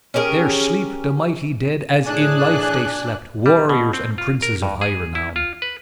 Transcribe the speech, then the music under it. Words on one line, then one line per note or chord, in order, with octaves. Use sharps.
There sleep the mighty dead as in life they slept, warriors and princes of high renown.
C#4 G4 G#4 A#4
A2 D4 G#4 D5 G#5 F#6
G3
B2
C4
F4
A#4
G2
G#4
E4
F4
B4